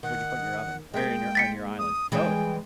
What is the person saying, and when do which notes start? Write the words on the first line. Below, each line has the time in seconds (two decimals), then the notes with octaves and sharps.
What'd you put in your oven or in your on your island? Both,
0.03 D#3 F#5
0.94 G#3 A#3 G5
1.35 A6 B6 C#7
1.79 D#6
2.12 E3 G3 G#3 G5